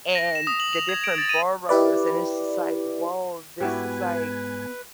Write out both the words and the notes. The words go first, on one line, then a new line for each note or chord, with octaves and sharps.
and the different boroughs, and it's just like, "Woah, this is like
A#6
E7
D#6
F#7
F7
G#6
D7
A6
D#7
E4 G4 B4 D5
G#2 B3 E4 F#4 G4 B4 G#5